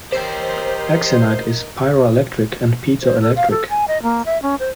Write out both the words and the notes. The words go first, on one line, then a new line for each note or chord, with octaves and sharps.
Axinite is pyroelectric and piezoelectric.
G4 A#4 C5 C#5 D#5 G5
C5
A4
F5
A4
G#5
D#5
A#3
E5
C#4
C5